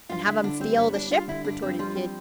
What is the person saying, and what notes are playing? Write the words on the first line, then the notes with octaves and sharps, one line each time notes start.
"And have them steal the ship!" retorted Kidd.
G2 F4
D3 E4
D3 D4
G3 C4
G1 B3
G3 D4
G3 F4
D3 E4
G2 D4
G2 C4
F3 G3
C4